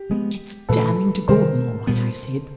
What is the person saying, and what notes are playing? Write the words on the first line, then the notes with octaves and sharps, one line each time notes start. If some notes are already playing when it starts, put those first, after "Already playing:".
"It's damning to Gordon, all right," I said.
Already playing: G4
F3 G#3 B3
A#2 F3 A3 A4 B4
C3 D#3 G3 A#4 C5
A#2 G3 B3